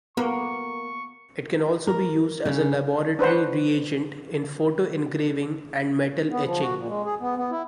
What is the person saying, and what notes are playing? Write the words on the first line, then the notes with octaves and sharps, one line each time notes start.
It can also be used as a laboratory reagent in photoengraving and metal etching.
A#3 B3 C#6
A#4
C#3
D4 B4 C5 F#5
B3
F3
F#4
A#2
G#3
G#4
B3
B3
E4